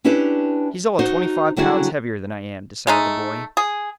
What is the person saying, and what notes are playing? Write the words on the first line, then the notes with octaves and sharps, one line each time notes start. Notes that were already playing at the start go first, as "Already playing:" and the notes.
"He's all of twenty-five pounds heavier than I am," decided the boy.
C#4 D4 E4 G4 B4 C#5
D#4 F#4 C5 F#5
D3 F#3 G3 E4 F#4 G#4
G#3 A3 D#4
G#4